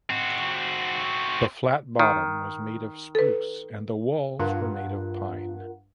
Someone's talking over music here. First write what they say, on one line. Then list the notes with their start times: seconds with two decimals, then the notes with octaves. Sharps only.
The flat bottom was made of spruce and the walls were made of pine.
0.10 C4 F#4
1.99 D#3
3.15 A4 B4
4.39 G2 F4 A#4 F#5